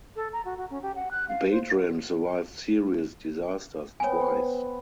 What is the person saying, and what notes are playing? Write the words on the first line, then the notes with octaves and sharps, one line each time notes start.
Badran survived serious disasters twice.
A4
A#5
F#4
F#4
C#4
G4
F#5
F#6
F5
C5
B3 C4 C#5 G#5